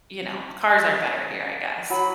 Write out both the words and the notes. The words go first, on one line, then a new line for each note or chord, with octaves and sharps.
you know cars are better here, I guess.
F#3 B5